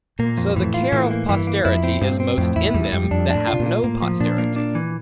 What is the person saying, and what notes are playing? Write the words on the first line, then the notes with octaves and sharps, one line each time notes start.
So the care of posterity is most in them, that have no posterity.
A#2 A#3
F2
A2 E3
F4
A2 E3
A#3
G2 E3
A#3
F2 E4
C4
G2 C4
C4
F2 A2
E2 E4
E2 G3
F2 G3
F2 D4
D4
A2
F4
C3
A#2
F4
A2 A#3
F3
A#2 D4
A#3
D4
E3